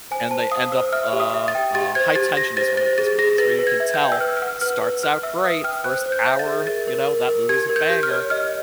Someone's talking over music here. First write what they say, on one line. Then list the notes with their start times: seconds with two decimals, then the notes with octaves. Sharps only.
And they end up uh, uh, High Tension is one of those movies, where you can tell, starts out great, first hour, you know, that movie's a banger,
0.11 C5 G#5
0.31 C5 A5
0.51 F5 D#6
0.72 C5 E6
0.92 E5 F6
1.13 G4
1.20 D#6
1.34 E5
1.48 A6
1.55 G5
1.75 G4 A6
1.95 C5 G#6
2.15 G4 A6
2.37 G4 A#6
2.57 C5 A6
2.77 C5 A6
2.98 G#4 A6
3.18 G#4 A#6
3.38 B4 A6
3.59 B4
3.67 G#6
3.80 E5
3.94 G6
4.00 G5
4.12 E6
4.20 B4 F6
4.37 F6
4.42 F#5 E6
4.61 B4 F6
4.82 B4
5.03 B4 F6
5.23 E5 E6
5.44 B4 D#6
5.64 G5 F6
5.84 C5 F#6
6.06 C5
6.12 G6
6.26 E5
6.39 A6
6.46 G#4
6.67 A#4 A6
6.87 A#4
7.08 A#4
7.29 A#4
7.49 G4 G#6
7.69 A#4
7.76 G6
7.89 G4
8.03 F6
8.11 C#5
8.30 D#5 F6